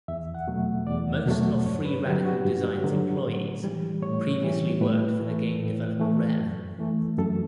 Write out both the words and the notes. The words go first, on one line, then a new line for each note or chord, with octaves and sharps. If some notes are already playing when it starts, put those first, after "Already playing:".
Most of Free Radical Design's employees previously worked for the game developer Rare.
E2 E5
F#5
B2 F#3 A3
E2 D5
B2 F#3 A3
G2 C#5
B4
D3 F#3 G4
F#4
G2
D3 F#3
A2
E3 G3
A2 C#5
E3 G3
A2 B4
E3 A3
A2
E3 A3
F#2
E3 A3
F#2 A4